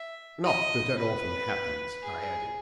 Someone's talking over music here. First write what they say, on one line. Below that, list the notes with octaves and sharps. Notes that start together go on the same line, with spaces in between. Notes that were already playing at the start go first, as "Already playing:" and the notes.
"Not that that often happens," I added.
Already playing: E5
D#5
B4
G#4